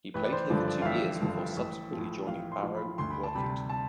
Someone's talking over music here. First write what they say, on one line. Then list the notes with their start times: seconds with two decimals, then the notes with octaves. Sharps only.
He played here for two years before subsequently joining Barrow and Workington.
0.14 A1 B4
0.25 D5
0.32 C5
0.50 G2 D3 F3 D5
0.68 D5
0.82 F5
0.85 A1 E5
1.22 G2 D3 F3
1.57 A1
1.92 A2 F3
2.27 A1 F5
2.52 C6
2.63 A2 F3
2.75 B5
2.98 D2 C6
3.10 B5
3.23 A5
3.35 C3 G3 B5
3.70 A5